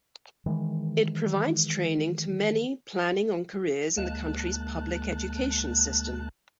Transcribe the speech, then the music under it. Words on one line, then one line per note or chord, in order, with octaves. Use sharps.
It provides training to many planning on careers in the country's public education system.
D#3 E3 G#3
D2 G#3 A#3 A5 F#6